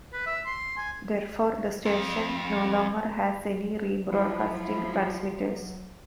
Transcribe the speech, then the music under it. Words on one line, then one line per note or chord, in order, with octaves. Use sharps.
Therefore, the station no longer has any rebroadcasting transmitters.
B4
E5
C6
G#5
F2
F3 F#3 E4 B5